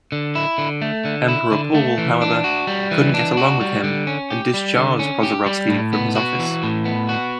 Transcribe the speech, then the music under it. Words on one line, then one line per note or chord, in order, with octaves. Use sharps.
Emperor Paul, however, couldn't get along with him and discharged Prozorovsky from his office.
D3
E4
D3
A3
D3
E4
D3
A3
E3
D4
F#4
G3
E3
D4
F#4
G3
D3
C#4
G4
G3
D3
C#4
G4
G3
A2
B3
F#4
E3
A2
B3
F#4